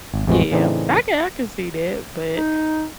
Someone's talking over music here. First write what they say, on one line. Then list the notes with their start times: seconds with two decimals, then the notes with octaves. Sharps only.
Yeah. I can I can see that, but
0.14 G#1
0.27 A1 F2 C3 E3 G#3 F#4
0.51 A2 C#3 E3 C4 D4 D#4
2.36 D#4